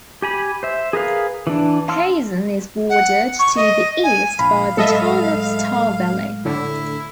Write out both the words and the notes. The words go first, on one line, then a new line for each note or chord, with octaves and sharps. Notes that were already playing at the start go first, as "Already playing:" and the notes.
Payson is bordered to the east by the town of Star Valley.
G4 G#5 B5
C5 E5
G#4 A#4 B4 F5
E3 D4
F5 A5 C6 E6 F6
F#5
C#6
D#5
G#5
A#1 F5 B5
A2 F#3 G#3 A4 D#5 E5
A2 D3 E4